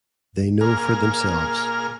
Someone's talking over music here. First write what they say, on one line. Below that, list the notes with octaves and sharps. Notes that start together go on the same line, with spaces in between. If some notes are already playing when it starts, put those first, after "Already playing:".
They know for themselves.
A#2 G#4 A#4 F6